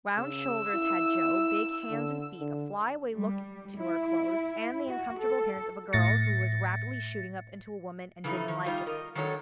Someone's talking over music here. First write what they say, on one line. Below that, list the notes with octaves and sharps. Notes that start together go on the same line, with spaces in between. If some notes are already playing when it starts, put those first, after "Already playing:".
Round shoulders had Jo, big hands and feet, a flyaway look to her clothes, and the uncomfortable appearance of a girl who was rapidly shooting up into a woman and didn't like it.
C#3 E6
E4
D3
D3
G3
E4
F#4
A4
A2 A6 A#6 C#7
C#3 E3 A3 D#4
D#3
G3 D#4 F4
A#4 D#5
D#3 F#3 G3 D4 A4 C#5